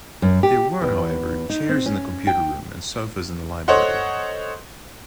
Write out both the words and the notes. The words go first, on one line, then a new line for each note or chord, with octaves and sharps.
There were, however, chairs in the computer room and sofas in the library.
F#2
G4
E2
D#4
C4
C#4
G5
A4 C5 C#5 D#5 F#5 C6